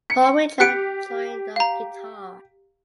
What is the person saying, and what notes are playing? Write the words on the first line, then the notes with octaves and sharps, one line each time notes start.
Paul Widger joined on guitar.
C#7
G4 F#6 C#7 D7
F5 A#5